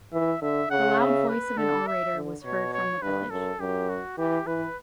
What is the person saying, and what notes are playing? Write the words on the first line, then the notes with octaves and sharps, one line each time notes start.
The loud voice of an orator was heard from the village.
E3 E5
D3 E5
C#3 F#5
E5
B4
D3 A4
E5
D3
B2 C#5
C#5
G2 B4
F#2 A4
F#2 G4
F#4
E3 G4
E3 B4